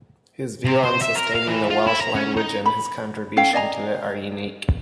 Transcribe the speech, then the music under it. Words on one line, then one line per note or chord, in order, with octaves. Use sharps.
His view on sustaining the Welsh language and his contribution to it are unique.
C3
C5
E5
A#4
F5
E3
F4
E4
A#5
C#4
D#4
B5
C#4 A4 F5 G5
D5 D#5 G#5 A#5